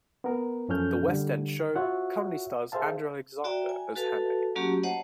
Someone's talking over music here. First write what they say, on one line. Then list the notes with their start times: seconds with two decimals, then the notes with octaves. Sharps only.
The West End show currently stars Andrew Alexander as Hannay.
0.24 B3 A#4
0.69 F#2 F3 C#4 A4 F6 G6
1.08 D3 G3
1.76 F4 F#4 C#5 E5 F#5
2.72 G#4 C5 E5 F5 A5
3.44 F#4 D5 E5 G5 A#5
3.69 G#5
3.96 F#4 A4 B4 F5 A5
4.56 F#3 A3 A#3 C#4 F#4 G4
4.83 C5 C#5 D#5 F#5 A5 A#5